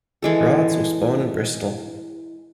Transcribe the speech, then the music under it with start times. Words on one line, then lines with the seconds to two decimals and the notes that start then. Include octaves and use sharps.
Rahtz was born in Bristol.
0.22 E3 G#3 A4